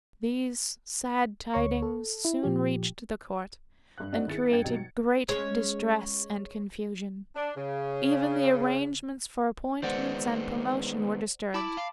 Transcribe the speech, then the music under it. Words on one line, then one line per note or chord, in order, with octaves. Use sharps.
These sad tidings soon reached the Court, and created great distress and confusion: even the arrangements for appointments and promotion were disturbed.
D2 C#5 C#6
A4
E4
A#2 F3 G4
G2 F#6
C4 D4 D#4 F#4
D#3 E4 G#4 A6 C#7
G2 B4 G5 G#6 A6 C#7
B2 F#3 D#4 G4
C#7
G#3 C#4 C#5
D4
C#3
D#3 G#3 B3 C5 D5 F#5
E4 A5 B5 D6
F5